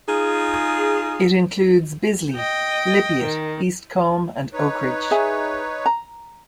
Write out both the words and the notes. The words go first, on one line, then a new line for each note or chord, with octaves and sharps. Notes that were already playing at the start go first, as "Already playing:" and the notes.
It includes Bisley, Lypiatt, Eastcombe and Oakridge.
D#4 F4 G#4
D#5 G5
D#3
D#4 B4 C#5
G#4 E5 G#5
A#5